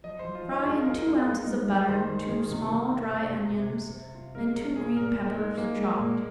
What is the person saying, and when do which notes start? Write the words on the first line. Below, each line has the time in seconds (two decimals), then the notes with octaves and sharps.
Fry in two ounces of butter two small dry onions and two green peppers, chopped.
0.04 F3 D#5
0.19 C5
0.25 F3
0.35 F4
0.45 F3
0.51 D#4
0.66 F4 G#4
0.81 A#4
0.86 F4
0.96 A#4
1.07 F4 G#4
1.27 D#4 G#4
1.42 A#4
1.47 G#3
1.68 G#3
1.73 D#5
1.88 D#3 C5
2.09 G#3
2.29 D#3
2.50 C3
2.71 D#3
2.91 C3
3.12 C3
3.32 C3
3.53 C3
3.73 C3
3.94 C3
4.14 F4
4.35 G#3 A#4
4.55 C3 A#4
4.76 F4 G#4
4.96 A#2 A#4
5.17 A#2
5.27 G#3
5.38 D#4
5.58 G#3 A#3
5.78 G#3
5.99 A#2